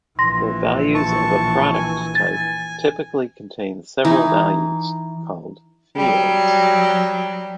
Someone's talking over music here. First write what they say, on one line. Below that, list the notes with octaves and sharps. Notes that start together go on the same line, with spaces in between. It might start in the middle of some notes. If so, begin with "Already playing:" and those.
The values of a product type typically contain several values, called "fields".
A#1 E3 C6 A#6
A5 C#6
G#5
A6
E3 D#4
F#3 G3